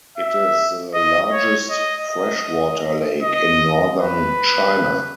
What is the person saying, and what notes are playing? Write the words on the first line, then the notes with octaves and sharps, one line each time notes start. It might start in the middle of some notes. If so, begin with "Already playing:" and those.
It is the largest freshwater lake in northern China.
E5
D#5
C#5
D#5
D#5
D#5
B4